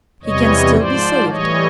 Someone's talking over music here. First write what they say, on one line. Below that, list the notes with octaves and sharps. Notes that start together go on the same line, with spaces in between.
He can still be saved.
E2 C3 E3 G3 C#5 D#5
G#2 F3 C5 D5
A2 E3 G3 C#5 D#5